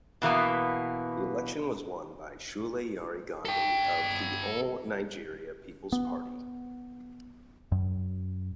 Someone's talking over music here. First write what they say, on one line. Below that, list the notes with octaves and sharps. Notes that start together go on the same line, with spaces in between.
The election was won by Sule Yari Gandi of the All Nigeria Peoples Party.
B2 E3 A#3 B3
A4 G5
B3
F#2